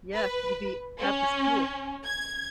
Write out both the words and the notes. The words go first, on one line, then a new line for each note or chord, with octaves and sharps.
Yes, you'd be at the school.
B4
C#4
G#6